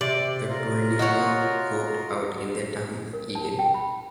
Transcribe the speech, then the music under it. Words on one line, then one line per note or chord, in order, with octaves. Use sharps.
The tornado roped out in the town of Eden.
C3 D5
F4 A#4
F#4 C#5 D#5 F#5
A#4
A5
G5
B5